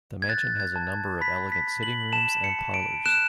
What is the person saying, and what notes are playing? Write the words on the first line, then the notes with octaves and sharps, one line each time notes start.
The mansion has a number of elegant sitting rooms and parlours.
G#6
F#6 A6
G#6
A5
B5 B6
B6
B5
F#7
A5 E7
C#7
A5
D7
F#6 E7